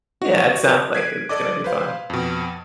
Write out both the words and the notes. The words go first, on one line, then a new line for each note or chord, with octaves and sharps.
Yeah, it sounds like it's gonna be fun.
F#4
F#6 G#6 B6 C7 D7 D#7
A4 D5 D#5 D6
B4 C5 F5
F2 B2